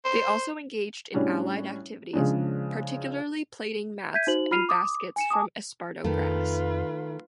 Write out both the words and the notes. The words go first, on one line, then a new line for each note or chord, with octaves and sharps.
They also engaged in allied activities, particularly plaiting mats and baskets from esparto grass.
C5
A2 G3 C#4 D4 F#4
C#3 F3 G#3 C#4 D4
E5 G6 G#6 B6 D#7
D#4 F#4 C5 F#7
F4 B5 F6 C7 D#7 F7
D6 D#6
G#5 C#7 E7
G#5 A5 D6 D#6
F2 D#3 A3 F4 B4